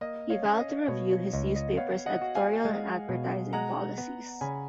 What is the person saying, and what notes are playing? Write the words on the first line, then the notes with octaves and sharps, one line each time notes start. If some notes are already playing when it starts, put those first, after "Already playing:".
He vowed to review his newspaper's editorial and advertising policies.
A#3 D#5
C#5 F5
C#4
D#5
B2 C#5
C#5
C#2 D#5
D#5
B3 C#5 F5
D#5 F#5
F#4
F5 G#5
G#3
B2
G#3 F#5 A#5
B3
C#3 G#5 B5